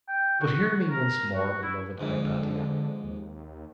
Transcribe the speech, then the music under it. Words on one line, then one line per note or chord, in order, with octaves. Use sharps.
But hear me once more, beloved Hypatia.
G5
F#4
A#4
F#4
E4
F2 G#2 D3 E3
D#2